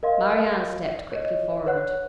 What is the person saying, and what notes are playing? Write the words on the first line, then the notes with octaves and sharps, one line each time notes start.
Marie-Anne stepped quickly forward.
A#4 D#5 F5 C6
C#5 D#5
B4 C#5 F#5 F#6